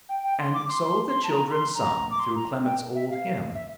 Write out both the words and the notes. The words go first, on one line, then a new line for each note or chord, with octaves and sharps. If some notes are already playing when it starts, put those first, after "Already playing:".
And so the children sung through Clement's old hymn.
G5
G5
C6
D6
C6
C6
C6
A5
A#5
A#5
C6
A#5
D6
C6
A#5
G5
E5
F5
E5